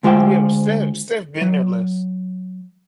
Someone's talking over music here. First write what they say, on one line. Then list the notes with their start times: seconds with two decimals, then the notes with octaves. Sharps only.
Yeah, but Steph Steph been there less.
0.03 D2 G#3 F4 C5 G5
1.41 F#3